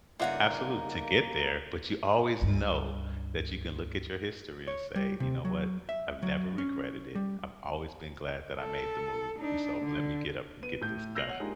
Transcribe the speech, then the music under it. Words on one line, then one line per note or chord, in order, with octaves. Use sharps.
Absolute to get there, but you always know that you can look at your history and say, "You know what, I've never regretted it, I've always been glad that I made the move, and so let me get up and get this done."
G2 C#3 A#3 D#4 F4 E5 F#5
C#2 G2
C#5
G3
C3
F#3
E5
F#3
C#4
G3
A4
D4 D#4
D3
B3 D#7
A2 G6
E6 G6 A#6 C7 F7 F#7
C#5 F#5
G#3 A#3 D4 D#4 F4 G4